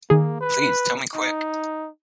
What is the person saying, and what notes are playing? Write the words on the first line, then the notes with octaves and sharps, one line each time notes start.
Please tell me quick!
D#3 A#3 G#4
B4
D#4